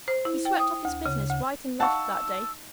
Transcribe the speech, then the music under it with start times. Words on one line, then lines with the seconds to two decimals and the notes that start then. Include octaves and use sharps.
He swept off his business right and left that day.
0.08 C5
0.25 E4
0.45 G5
0.59 D#6
0.85 D2
1.06 C#3
1.31 D2
1.80 D#4 F5 F#5 A5 C#6 E6